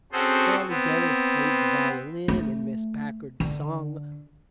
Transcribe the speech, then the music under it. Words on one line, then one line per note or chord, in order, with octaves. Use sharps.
Charlie Gerish played the violin and Miss Packard sung.
C4 C#4 F#4 G#4 A4 C5
B3 C4
A3
D3